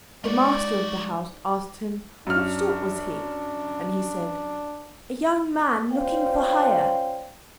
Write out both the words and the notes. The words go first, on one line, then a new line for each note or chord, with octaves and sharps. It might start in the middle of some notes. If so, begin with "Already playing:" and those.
The master of the house asked him what sort was he, and he said: "A young man looking for hire."
G#3 D#4 F4 F#4 D5
F#2 D4 F6
C#4 F4 C5 D5 F5 G5